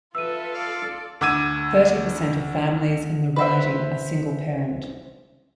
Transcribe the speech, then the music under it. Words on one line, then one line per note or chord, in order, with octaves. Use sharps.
Thirty per cent of families in the riding are single-parent.
F4 A4 B4 E5 E6 D#7
D5 F5
D2 D6 E6 G#6 D#7
B4 C5 E5